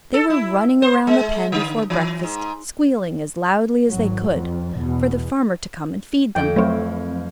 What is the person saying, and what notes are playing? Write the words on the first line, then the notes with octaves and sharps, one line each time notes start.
They were running around the pen before breakfast, squealing as loudly as they could, for the farmer to come and feed them.
A4
E4
C5
G#3
D3
E3
G#2
G#1 F#3
F2
E2 B2
F2 G5
F#3 A3 C4 C5 C#5